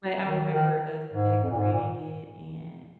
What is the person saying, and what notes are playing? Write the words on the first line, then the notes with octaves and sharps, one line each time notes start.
but I remember us decorating it, and,
D#3
D#3
G#2
F2
A#2
G#2
A#2